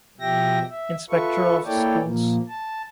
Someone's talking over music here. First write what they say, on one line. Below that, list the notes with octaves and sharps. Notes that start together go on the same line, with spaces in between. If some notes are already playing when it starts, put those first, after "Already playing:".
Inspector of Schools.
B2 F3 G4 E5 G5 A#6
E5
F4 A4 B4 E5 C#6
A#3 E4 A4 C#5 D5 G5
A#2 F3 A#3
A5